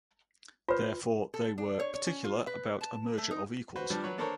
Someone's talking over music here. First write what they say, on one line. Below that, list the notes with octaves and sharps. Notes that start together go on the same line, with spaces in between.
Therefore, they were particular about "a merger of equals".
F4 B4 C5
A4
D4
C#5
C#5
C#4
F4
B4
A5
A3
D#4
F#4 B4 C5
F3 G3 D4
F#3 B4 C#5
A#3 D4 A4 A#4 C5 C#5